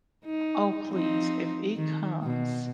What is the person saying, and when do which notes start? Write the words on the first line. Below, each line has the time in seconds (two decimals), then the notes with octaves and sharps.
Oh please if it comes
0.25 D#4
0.89 F3 C4 D#4
1.76 D#3
2.23 B2